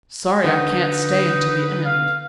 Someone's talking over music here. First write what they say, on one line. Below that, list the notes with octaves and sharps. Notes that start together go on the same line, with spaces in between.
Sorry I can't stay until the end.
D3 D#4 B4 F#5
F5